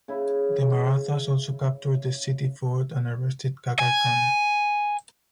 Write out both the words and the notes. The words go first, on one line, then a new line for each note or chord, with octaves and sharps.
The Marathas also captured the city fort and arrested Kakar Khan.
C#3 E4
G#5